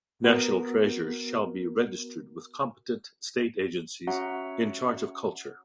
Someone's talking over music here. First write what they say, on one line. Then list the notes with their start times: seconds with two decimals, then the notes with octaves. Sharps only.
National treasures shall be registered with competent state agencies in charge of culture.
0.24 B3 F#4 A#4
4.07 C#4 F#4 C#5 E5 F#5 A#5